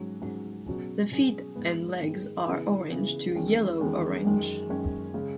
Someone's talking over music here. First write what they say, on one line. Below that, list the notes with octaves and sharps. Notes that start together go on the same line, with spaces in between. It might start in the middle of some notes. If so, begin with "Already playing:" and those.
The feet and legs are orange to yellow-orange.
Already playing: G#2 F#3 C#4
G#2 F#3 C#4
B2 F#3 C#4 G#4
B2 F#3 C#4 G#4
G#2 D#3 G#3 B3
G#2 D#3 G#3 B3
C#3 E3 B3 E4 G#4
C#3 E3 B3 E4 G#4
E2 D#3 G#3 C#4
E2 D#3 G#3 C#4
F#2 D#3 G#3 C#4
F#2 D#3 G#3 C#4
C#3 G#3